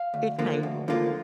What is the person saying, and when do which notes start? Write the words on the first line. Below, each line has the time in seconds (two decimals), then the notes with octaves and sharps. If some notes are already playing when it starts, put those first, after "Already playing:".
it's painful.
Already playing: F5
0.14 D2
0.38 D3 F3 A#3 F4
0.63 D2
0.88 D3 F3 A#3 F4